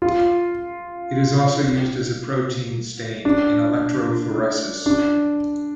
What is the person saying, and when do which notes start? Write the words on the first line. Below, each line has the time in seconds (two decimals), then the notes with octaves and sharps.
It is also used as a protein stain in electrophoresis.
0.02 F4
3.25 D4
4.86 D4